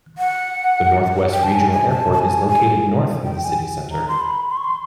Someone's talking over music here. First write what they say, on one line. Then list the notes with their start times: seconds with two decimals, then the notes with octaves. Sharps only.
The Northwest Regional Airport is located north of the city center.
0.18 F#5
1.33 G5
1.43 A5
1.52 G#5
1.72 G#5
1.90 A5
2.12 A5
2.19 G#5
2.48 G#5
3.25 G5
3.43 G#5
3.92 A#5
4.08 C6
4.20 B5
4.49 C6
4.57 C#6
4.64 C6